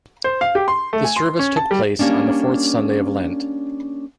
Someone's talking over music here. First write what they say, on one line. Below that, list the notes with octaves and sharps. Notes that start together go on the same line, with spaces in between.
The service took place on the fourth Sunday of Lent.
C5
F5
G4
C6
A3
G#5
C6
C#4
A5
G3
G3 A#3 C#4 D4